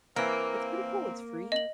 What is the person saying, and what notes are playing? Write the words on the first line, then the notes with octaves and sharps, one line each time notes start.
It's pretty cool, it's free,
E3 A#3 C4 A#4
D#5 F#7